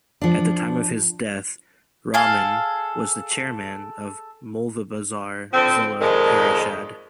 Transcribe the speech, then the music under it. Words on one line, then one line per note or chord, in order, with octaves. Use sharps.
At the time of his death Rahman was the Chairman of Moulvibazar Zila Parishad.
F3 D4
G#4 A4 F5
D3 F3 C4
F2 A#2 D#3 F3 G#3